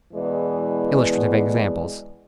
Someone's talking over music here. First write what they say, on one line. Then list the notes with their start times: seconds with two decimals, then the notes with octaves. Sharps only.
Illustrative examples.
0.14 E2 B2 E3 G#3 D5